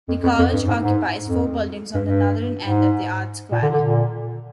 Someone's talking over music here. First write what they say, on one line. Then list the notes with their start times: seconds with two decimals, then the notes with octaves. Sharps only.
The college occupies four buildings on the northern end of the Arts Quad.
0.09 F2
0.23 F2
0.39 F2
0.53 G2
0.68 G#2
0.83 G#2
1.28 F2
1.94 G2
2.07 G2
2.63 G#2
3.52 A#2
3.63 D3
3.74 D3
3.85 A#2